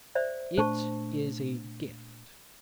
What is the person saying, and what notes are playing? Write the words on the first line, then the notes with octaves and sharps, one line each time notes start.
It is a gift....
C5 D5 E5
A#2 A3 D4 C5 A5 C#6